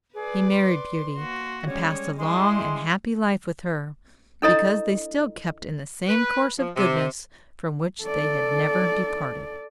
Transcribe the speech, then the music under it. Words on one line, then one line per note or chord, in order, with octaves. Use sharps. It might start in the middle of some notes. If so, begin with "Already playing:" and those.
He married Beauty, and passed a long and happy life with her, because they still kept in the same course of goodness from which they had never departed.
G#4 B4 D5
C6
A#3 F#4
G3 G#3 C#4 C#5
G3 G#3 E4 C6
D4 E4 A4 C#5 D#5 A#5
B4
F3
C3
A4 D5